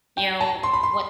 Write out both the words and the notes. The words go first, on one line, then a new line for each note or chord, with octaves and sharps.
you know, what
G5
A5
C6
B5
C6